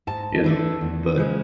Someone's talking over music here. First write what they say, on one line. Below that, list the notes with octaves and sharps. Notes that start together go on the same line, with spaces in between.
you know, but
G#2 A5
E3 A3 D4
E2
C#3 F3 G#3